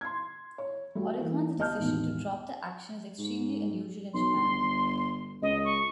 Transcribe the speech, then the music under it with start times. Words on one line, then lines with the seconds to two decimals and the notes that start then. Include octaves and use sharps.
Oricon's decision to drop the action is extremely unusual in Japan.
0.01 C6 G#6
0.58 C#5
0.95 G3 A3 F#4
1.19 E3 A#3
1.58 G1 G4 D#5 A5 F6 G6
1.78 E1 A1 B2 D#3
3.18 G#2
4.14 B1 C6
4.36 G1
5.42 C#2 D#5
5.64 C#6